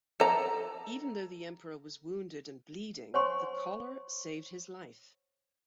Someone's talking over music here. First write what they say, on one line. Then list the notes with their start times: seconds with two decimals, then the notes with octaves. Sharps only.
Even though the Emperor was wounded and bleeding, the collar saved his life.
0.20 A4 A#5
3.14 C5 C#5 F#5 G#5 C6 C#6